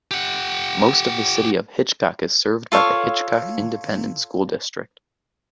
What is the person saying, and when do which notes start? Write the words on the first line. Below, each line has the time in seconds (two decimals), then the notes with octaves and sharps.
Most of the city of Hitchcock is served by the Hitchcock Independent School District.
0.11 G4 F#5
2.72 F4 A4 C#5 F5